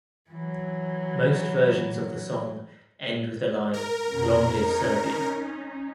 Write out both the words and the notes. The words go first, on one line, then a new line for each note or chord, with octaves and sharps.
Most versions of the song end with the line "long live Serbia!".
E3 F#3
A#4
F2 B2 C#4
C#4 D#4